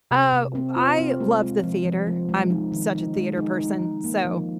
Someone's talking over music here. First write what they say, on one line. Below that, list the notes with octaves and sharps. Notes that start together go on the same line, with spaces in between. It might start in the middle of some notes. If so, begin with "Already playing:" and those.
Uh, w I love the theater, I'm such a theater person, so
C3
C3
C4
F4
C4
G#3
F4
F3
F3
F3
G#3
D#4
D#3
D#4
G#3
D#4
D#4
G#3
A#3
F3